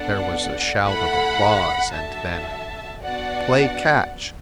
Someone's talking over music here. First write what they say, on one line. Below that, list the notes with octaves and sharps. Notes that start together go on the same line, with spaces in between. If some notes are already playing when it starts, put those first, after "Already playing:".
There was a shout of applause and then--"Play catch!"
Already playing: B3 D4 A4 D5 F#5
A3 E4 A4 F#5 B5
D4 F#4 A4 E5 A5
B3 D4 F#4 D5 F#5